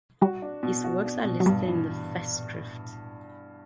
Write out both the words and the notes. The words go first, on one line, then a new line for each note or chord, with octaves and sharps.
His works are listed in the festschrift.
G3 F#4
D4
B2
F#4
D4
B2
F#3
G2 G3
E3